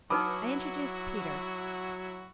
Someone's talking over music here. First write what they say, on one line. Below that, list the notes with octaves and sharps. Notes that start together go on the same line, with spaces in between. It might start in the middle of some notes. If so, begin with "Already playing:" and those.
I introduced Peter.
F#3 D#4 E4 F#4 B4 B5 D6 D#6